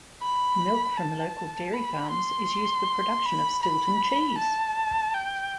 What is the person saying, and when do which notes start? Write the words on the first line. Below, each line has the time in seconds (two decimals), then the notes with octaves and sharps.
Milk from local dairy farms is used for production of Stilton cheese.
0.22 B5
0.98 A5
1.74 B5
2.11 C6
3.25 B5
3.63 B5
4.38 A5
5.14 G5